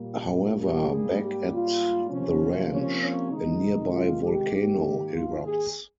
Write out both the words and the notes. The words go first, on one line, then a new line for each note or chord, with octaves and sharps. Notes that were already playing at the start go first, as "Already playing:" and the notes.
However, back at the ranch, a nearby volcano erupts.
Already playing: A#2 G3 A#3
G4
G#2 G3 A#3 G#4
G4
F4
C3 F3 A#3 C#4
C#4
C#4
C3 D#3 G#3 D#4
F4
G4
G#2 D#3 A#3 G4
F4
G#4